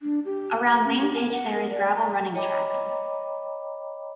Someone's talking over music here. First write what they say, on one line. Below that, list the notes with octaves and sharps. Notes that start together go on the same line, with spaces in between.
Around main pitch there is gravel running track.
D4
G4
F#5
C#4
G4
A#4
F#5
A#4
D5
A#5
C#5 D#5 G5 A#5 B5 D6